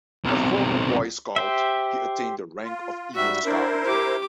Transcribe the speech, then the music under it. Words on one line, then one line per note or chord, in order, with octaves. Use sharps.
A former Boy Scout, he attained the rank of Eagle Scout.
B1 C3
G4 C5 E5
F4
G#2 G3 F#4 E5
D4 E4 A#4 C5
G4 D6